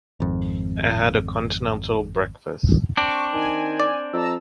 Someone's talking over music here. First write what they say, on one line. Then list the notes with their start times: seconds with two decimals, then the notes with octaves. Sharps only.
I had a continental breakfast.
0.20 G#1 F2
2.97 C4 D4 C#6 D6
3.33 D#3 G#5
3.80 D5
4.13 F2 A5 A#5 E6